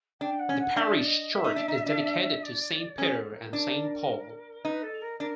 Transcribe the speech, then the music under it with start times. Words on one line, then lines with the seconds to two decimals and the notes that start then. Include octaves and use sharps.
The parish church is dedicated to Saint Peter and Saint Paul.
0.21 D4 G5
0.39 F#5
0.49 C#4
0.58 F#5
0.76 D4 E5
0.98 D5
1.04 D#5
1.32 E5
1.44 D#4
1.56 D4
1.68 D#4
1.86 D4
2.42 D5
2.98 C#4 G#4
3.16 A4
3.34 A#4
3.53 D4
4.64 D#4 B4
4.82 A4
5.01 A#4
5.19 D4 A#4